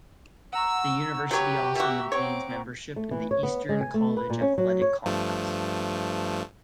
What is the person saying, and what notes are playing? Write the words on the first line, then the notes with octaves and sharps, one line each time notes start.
The university also maintains membership in the Eastern College Athletic Conference.
F#5 A#5 C#6 E6
F#3 G4 B4 C#5
B2 F#4 E5
C4 C#5 D6
A3
E3
C#5
B3
G#3
G#5
A3
B4
A#2
C#4
F#3
C#5
G2 F3 A3